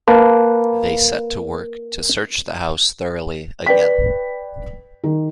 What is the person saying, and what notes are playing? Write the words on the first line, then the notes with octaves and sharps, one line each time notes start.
They set to work to search the house thoroughly again.
A#3 B4 A5
B4 D5 G5 B6
D#3